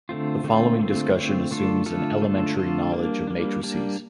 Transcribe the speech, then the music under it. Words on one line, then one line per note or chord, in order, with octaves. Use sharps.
The following discussion assumes an elementary knowledge of matrices.
D3 A3 C4 F4
D3 A3 C4 F4
D3 A3 C4 F4
D3 A3 C4 F4
D3 A3 D4 F4 A4
D3 A3 D4 F4 A4
D3 A3 D4 F4 A4
D3 A3 D4 F4 A4
G3 A#3 D4
G3 A#3 D4
G3 A#3 D4